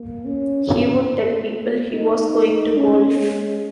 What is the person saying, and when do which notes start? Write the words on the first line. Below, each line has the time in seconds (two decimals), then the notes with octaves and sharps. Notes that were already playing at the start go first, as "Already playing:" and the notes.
He would tell people he was going to golf.
Already playing: A#3
0.25 C#4
0.66 C#4
1.92 D#4
2.77 C#4
3.18 G#3